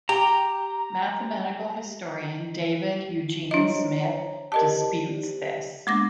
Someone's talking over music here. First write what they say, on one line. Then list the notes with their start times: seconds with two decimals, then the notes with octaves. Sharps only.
Mathematical historian David Eugene Smith disputes this.
0.09 G4 A#5
3.51 D4 C5 C#5 D#5 A#5
4.52 G4 A#4 C5 D5 D#5 A5
5.87 G#3 A#3 B3 D4 D6 A#6